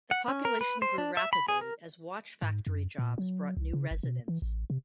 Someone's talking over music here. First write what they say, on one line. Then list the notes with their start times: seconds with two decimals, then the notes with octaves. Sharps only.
The population grew rapidly as watch factory jobs brought new residents.
0.11 F#5
0.28 C#4
0.45 A#4
0.61 B4
0.82 C5
0.98 D4
1.17 E5
1.33 B5
1.48 G#4
1.61 A#4
2.42 G#2
2.67 F#2
2.98 A#2
3.18 F#3
3.57 C2
3.73 C#3
3.91 G1
4.03 B2
4.28 E3
4.42 A1
4.70 C3